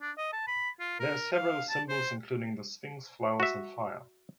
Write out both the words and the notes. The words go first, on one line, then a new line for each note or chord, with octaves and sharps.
There are several symbols, including the Sphinx, flowers, and fire.
D4
D#5
A5
B5
F4
A#4
F5
A5
C5
F#4 E5